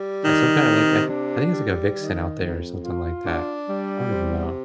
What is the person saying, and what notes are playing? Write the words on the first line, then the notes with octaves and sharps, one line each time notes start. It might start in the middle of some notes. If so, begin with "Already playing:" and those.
like, some kinda, like, I I think it's like a vixen out there or something like that. I don't even know.
Already playing: G3
D#3
C3
D4
G3
D#3
F2
F4
D4
G3
C3